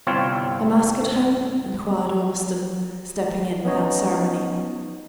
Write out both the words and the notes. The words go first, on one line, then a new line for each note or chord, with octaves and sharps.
"La Masque at home?" inquired Ormiston, stepping in, without ceremony.
G1 C2 C4 F4 C#5
B3 C#4 D#4 C#5 D#5